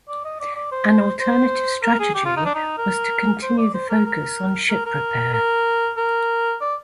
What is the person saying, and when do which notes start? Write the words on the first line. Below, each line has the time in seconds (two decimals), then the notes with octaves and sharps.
An alternative strategy was to continue the focus on ship repair.
0.08 D5
0.25 D#5
0.40 D5
0.56 D5
0.72 C5
1.20 C5
1.83 A#4
2.00 G#4
2.15 G4
2.25 F4
2.37 D#4
2.46 D4
2.55 D#4
2.78 A#4
3.43 C5
3.58 D5
3.74 C5
3.89 A#4
4.06 A#4
4.70 A#4
4.86 A#4
5.34 A#4
5.97 A#4
6.61 D5